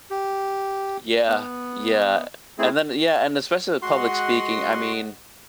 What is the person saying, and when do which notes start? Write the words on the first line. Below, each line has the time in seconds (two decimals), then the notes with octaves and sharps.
Yeah, yeah, and then yeah, and especially with public speaking, I mean,
0.10 G4
1.28 B3
2.58 A3 C4 E4 G#4
3.82 G#3 F#4 D#5 F#5 C6